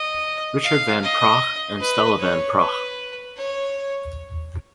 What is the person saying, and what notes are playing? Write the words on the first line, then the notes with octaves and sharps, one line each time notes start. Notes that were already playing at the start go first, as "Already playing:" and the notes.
Richard Van Praagh and Stella Van Praagh.
Already playing: D#5
F5
D#5
B4
C#5
B4
C#5